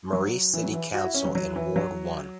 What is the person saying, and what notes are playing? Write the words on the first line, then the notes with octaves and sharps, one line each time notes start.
Marie City Council in Ward One.
F#3
E3
F#3
E3
F#4
E4
C#4
F#3
F#3
E3
F#3